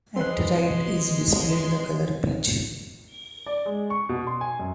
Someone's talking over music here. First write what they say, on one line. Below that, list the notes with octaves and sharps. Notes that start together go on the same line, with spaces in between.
At right is displayed the color peach.
G#3 C4 B4 D#5 C6 F#6
D5
G#3
C#6
B2
C6
G#5
F#2